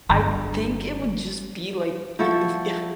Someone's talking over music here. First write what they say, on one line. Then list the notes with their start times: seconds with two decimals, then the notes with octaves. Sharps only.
I'd think it would just be like i the uh, yeah,
0.09 G1 D3
2.19 F3 E4 F#4 A4